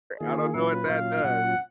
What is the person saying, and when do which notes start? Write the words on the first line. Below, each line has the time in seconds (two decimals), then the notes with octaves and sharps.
I don't know what that does,
0.20 D#3 A#3 F4 G#4
0.54 A#2 F#3 C#4 F4 B4
0.89 A#2 F#3 C#4 F4 F5
1.24 A#2 F#3 C#4 F4 F#5